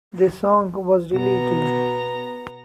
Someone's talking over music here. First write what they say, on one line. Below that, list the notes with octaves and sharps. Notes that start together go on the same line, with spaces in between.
This song was deleted.
B2 B3 A#5